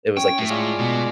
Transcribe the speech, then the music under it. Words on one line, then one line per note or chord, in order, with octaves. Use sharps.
It was like this
C#4 G5
A2
G#3 F4 D5
B2